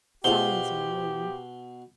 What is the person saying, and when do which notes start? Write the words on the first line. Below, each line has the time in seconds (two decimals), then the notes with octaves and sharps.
Silence in the room.
0.24 B2 F4 G4 G#4 C5 G7